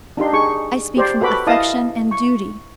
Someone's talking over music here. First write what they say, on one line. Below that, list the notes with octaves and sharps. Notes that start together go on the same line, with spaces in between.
I speak from affection and duty.
D4 D#4 G4 C6
D#4 G#4 C#6
G4 C5 D5 C6
F#4 A4 B4 B5 D6
E4 D#5 F5 A5 D#6
C#6